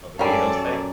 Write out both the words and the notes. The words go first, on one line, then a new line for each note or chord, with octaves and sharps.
Oh, the Beatles thing?
F#2 G3 A4 D5 F5 G#5